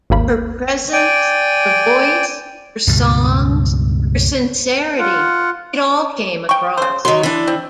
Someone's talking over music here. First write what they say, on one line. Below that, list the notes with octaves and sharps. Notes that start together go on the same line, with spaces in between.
Her presence, her voice, her songs, her sincerity-it all came across.
G#1 D#2 A#3 B5
D5 G5 G#5
C#2 G2 B2 G3
F4 F#5
G5 C#6
C#3 C5
D#3 F#3 C6
E3 D4
C4